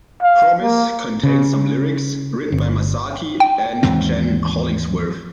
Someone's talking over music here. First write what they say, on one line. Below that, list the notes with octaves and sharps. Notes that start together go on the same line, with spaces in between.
"Promise" contained some lyrics, written by Masaki and Jen Hollingsworth.
F5
A#3
C#3
G1
G5
D#2 G#2 E3 C4